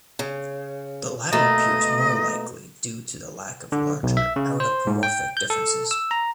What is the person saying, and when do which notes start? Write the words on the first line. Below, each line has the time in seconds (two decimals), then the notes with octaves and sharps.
The latter appears more likely due to the lack of larger autapomorphic differences.
0.19 C#3
1.32 B2 A3 A#3 D#5
3.72 D3
4.03 B1
4.17 E5
4.36 C#3
4.60 C5
4.87 G#2
5.03 G5
5.37 G6
5.50 A4
5.91 E6
6.11 A#5